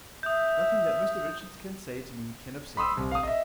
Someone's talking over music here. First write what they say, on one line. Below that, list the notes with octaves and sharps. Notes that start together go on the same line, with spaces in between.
Nothing that Mr Richards can say to me can upset me.'
E5 D#6 G6
B5 C6 D#6 E6
C2
F5 D#6
D#5 E5